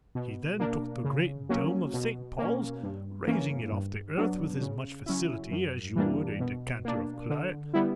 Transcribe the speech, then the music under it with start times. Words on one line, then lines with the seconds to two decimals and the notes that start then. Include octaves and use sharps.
He then took the great dome of St. Paul's, raising it off the earth with as much facility as you would a decanter of claret.
0.15 B2
0.60 A#3 D4
1.04 C#3
1.49 F#3 A#3 C#4
1.94 B2
2.38 A#3 C#4
2.83 G2
3.27 E3 A#3 C#4
3.72 G2
4.17 F#3 B3 D4
4.61 C#3
5.06 F#3 C#4 E4
5.51 F#2
5.96 E3 G3 A#3 D4
6.40 B2
6.85 A#3 D4
7.30 D3
7.74 G3 B3 E4